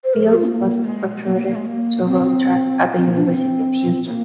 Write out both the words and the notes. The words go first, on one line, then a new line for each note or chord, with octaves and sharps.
Fields was recruited to run track at the University of Houston.
C5
A#4
G#4
F4
A#3
G#3
A#3
A#3
A#3
G#3
A#3
C4
C4
A#3
D4
C4
A#3